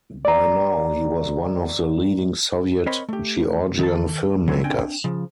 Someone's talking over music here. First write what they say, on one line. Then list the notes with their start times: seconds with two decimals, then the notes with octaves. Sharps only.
By now he was one of the leading Soviet Georgian film-makers.
0.25 D5 A#5
2.86 C4 A#4 C5 C#5 D#5 B5
3.09 A3 G4
3.79 D#3 A4 A5
4.48 D3 E3 F#3 C4 C#4
4.64 C4 D4 G5 G#5
5.04 C#3 F3